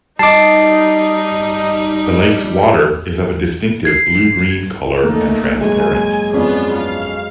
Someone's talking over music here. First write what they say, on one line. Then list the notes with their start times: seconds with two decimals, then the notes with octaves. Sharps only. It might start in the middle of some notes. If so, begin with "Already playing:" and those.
The lake's water is of a distinctive blue-green colour and transparent.
0.19 G3 D#4 D#5 A5 D6 C7
3.85 G#6 C7
5.03 A3 A#3 D#4
5.61 F#3 G#3 G#5
6.33 F2 B3 C#4 F4 G#4 D5
6.77 F5